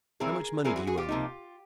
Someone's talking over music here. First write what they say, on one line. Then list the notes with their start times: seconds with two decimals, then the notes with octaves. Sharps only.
"How much money do you owe me?"
0.20 E3 G3 C4 E4 G#4 A#4
0.64 E3 G3 C4 E4 G#4 A#4
0.76 F#4 G#4
0.87 F#4 G#4
0.97 F4 G4
1.09 C3 F3 A#3 D#4